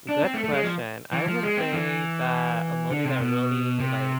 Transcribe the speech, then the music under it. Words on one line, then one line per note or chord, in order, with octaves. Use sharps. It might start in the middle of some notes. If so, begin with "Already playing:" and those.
Good question. I would say that a movie that really, like
D4
C4
A3
A3
G#3
F3
E3
F3
G#3
C4
E3
D3
C3
B2
C3